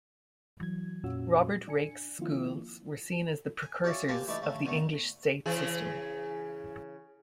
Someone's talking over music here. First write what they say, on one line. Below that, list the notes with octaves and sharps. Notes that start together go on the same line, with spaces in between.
Robert Raikes's schools were seen as the precursors of the English state system.
E3 F#3 G#6
F2 A#2 C#4 F4 F#4 E6
D4 G#5 C#7
D#3 F3 A#3 C4 E4 F4
G#5
F#4 G#4 C#5 D5 E5 F5
A#3 C4 G4 C5 G#5 A5
E3 A3 D#4 D5
C#3 A3
E2 D3 A3 C#6
C#3 E3 G#4